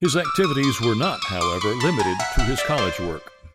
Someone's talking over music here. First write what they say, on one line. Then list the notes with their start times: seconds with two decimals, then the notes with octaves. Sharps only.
His activities were not, however, limited to his college work.
0.05 C#6 D#6
0.24 D6 E6
0.44 C#6 D#6
0.63 C6 D6
0.83 C6 D6
1.03 D6 E6
1.22 C#6 D#6
1.41 C6 D6
1.61 B5 C#6
1.80 A5 B5
1.99 G#5 A#5
2.20 E5 F#5
2.39 E5 F#5
2.58 D5 E5
2.78 C5 D5